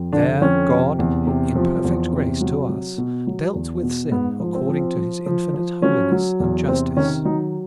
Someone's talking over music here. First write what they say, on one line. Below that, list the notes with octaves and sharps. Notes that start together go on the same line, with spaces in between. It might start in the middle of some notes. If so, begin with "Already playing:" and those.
There God, in perfect grace to us, dealt with sin according to his infinite holiness and justice.
Already playing: F2
D3 D4
F2 C#4
C3
E2
C3
F3
E2
C3
F#3
F#3
B2
F#3
E2
B2
G#2 B3
F3
C4
F3
F3
F3
F3
F#3 C#4
F#3
E2
C3 C4
D#3 C#4
F#3 D#4